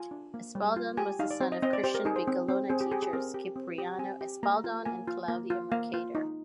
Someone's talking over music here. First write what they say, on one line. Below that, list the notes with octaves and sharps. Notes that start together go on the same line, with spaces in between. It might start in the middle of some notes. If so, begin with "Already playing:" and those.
Espaldon was the son of Christian Bicolano teachers Cipriano Espaldon and Claudia Mercader.
Already playing: F4 G#5
D4
A#3
G3
F4
G4 G#5
D#4 F5
D5
C4 C5
D#5
C4 D#5
D5
G4 C5
A#4
D#4 G#4
C5
C4
C4
C4 G#4
G4
G4 G#4
G#4
C4 A#4
G4
C4
G4
C4 G#5
G4
A#3 A#5
F4
A#3 G#5
F4
A#3
F4
A#3 F5
F4
D#4